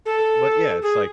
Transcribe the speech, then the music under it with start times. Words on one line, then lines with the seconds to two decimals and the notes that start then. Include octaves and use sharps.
Eh but yeah, it's, like,
0.06 A4
0.82 G#4